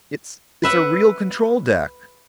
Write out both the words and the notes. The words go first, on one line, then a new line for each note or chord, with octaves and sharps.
"It's--it's a real control deck!"
B4 E5 F#5